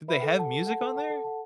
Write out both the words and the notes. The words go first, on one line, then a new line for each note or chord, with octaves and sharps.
Did they have music on there?
B4 E5 B5
A4
F#5 A5
A4
F#5 A5
A4
F#5 A5
A4
F#5 A5